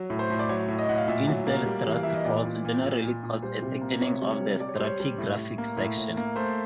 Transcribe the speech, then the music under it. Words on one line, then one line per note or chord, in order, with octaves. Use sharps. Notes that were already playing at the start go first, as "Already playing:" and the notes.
Instead thrust faults generally cause a thickening of the stratigraphic section.
Already playing: F#3
A2
C5
A2
D5
F#3 C#5
A2
D#5
A2 F#5
F5
A#2 E5
F#3
A#3
G3
E3
F5
E3 E5
D#5
A#2 D5
A#2
A#2
A#2
A#2
A#2
G3 C5
C3
A#3
C3 C#5
G3
C#5
G3
G3 D5
C#5
C5
G3 C#5
G3
A2
A2
A#3
A2
A2
A#3
A3 C5